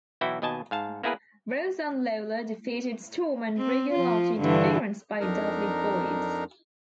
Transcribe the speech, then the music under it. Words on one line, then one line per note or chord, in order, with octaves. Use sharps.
Ross and Lawler defeated Storm and Regal after interference by Dudley Boyz.
B1 E3 E4 F#4 G5
D#2 B2 D#5 G#5 A5
G#2 F5 A5
A#3 B3 E4 G#4 A#4 B4
C4
F3 F4
G2 D3 E3
F2 D4 D#4 A#4 A#5